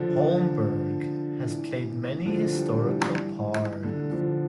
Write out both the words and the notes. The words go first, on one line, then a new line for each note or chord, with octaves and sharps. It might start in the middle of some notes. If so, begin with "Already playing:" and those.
Holmberg has played many historical parts.
Already playing: D3 F3
E3
D3 F3
E3 G3
E3 G3
E3
D3
D3 F3